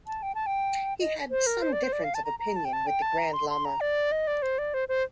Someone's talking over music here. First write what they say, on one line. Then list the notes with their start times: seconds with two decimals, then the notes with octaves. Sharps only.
He had some difference of opinion with the Grand Lama.
0.07 A5
0.23 G5
0.35 A5
0.46 G5
1.00 D#5
1.31 C5
1.46 A#4
1.62 C5
1.73 D5
1.83 C5
1.93 D5
2.04 F5
2.14 A5
2.25 A#5
2.39 A#5
2.56 A5
2.65 G5
2.73 A5
2.87 G5
3.02 A5
3.18 A#5
3.33 C6
3.49 C6
3.65 A#5
3.81 D5
4.12 D#5
4.27 D5
4.42 C5
4.58 D5
4.74 C5
4.89 C5